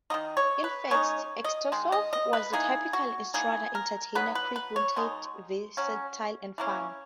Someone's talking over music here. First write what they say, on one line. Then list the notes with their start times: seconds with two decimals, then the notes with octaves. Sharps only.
In fact, Utesov was the typical "estrada" entertainer - quick witted, versatile, and funny.
0.10 A#3 D#4 D#5
0.14 D#3
0.37 C#5
0.64 B4
0.91 C#3 G#3 D#4 C#5
1.44 D#5
1.72 D#3 G#3
1.92 D#5
2.13 D#5
2.33 B4
2.53 E3 A#3 D#4 G#4
2.93 F#4
3.34 E3 A#3 D#4 G#4
3.75 A#4
4.15 F#3 B3 D#4 B4
4.35 B4
4.56 B4
4.76 C#5
4.96 B2 G#3 D#4
5.77 F#3 C#4
6.58 E3 A#3 C#4